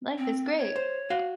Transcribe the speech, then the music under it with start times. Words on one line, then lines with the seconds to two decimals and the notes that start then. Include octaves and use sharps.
Life is great!
0.18 C4
0.58 C#5
0.76 C5
1.10 F#4 F5